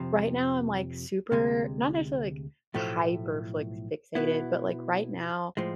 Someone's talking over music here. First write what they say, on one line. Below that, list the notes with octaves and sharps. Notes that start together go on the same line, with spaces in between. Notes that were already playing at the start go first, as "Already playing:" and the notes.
right now I'm, like, super not necessarily like hyper-fli fixated, but like right now
Already playing: F2 C3 F3
D2 C3 G#3
B1 A2 F3 A3
B2 B3 E4
A2 F3 G#3